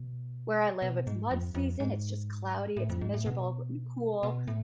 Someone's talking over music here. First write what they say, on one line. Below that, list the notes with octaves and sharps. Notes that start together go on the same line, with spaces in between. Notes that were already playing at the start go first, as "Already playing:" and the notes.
where I live, it's mud season, it's, just, cloudy, it's miserable but m cool
Already playing: B2
B2
G#2
F2
F2
G#2
A2
F2
G#2
A2
B2
B2
A2